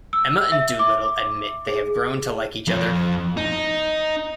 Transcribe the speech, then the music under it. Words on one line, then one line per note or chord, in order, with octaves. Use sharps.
Emma and Dolittle admit they have grown to like each other.
E6
E5
D6
G#4
F2
D#4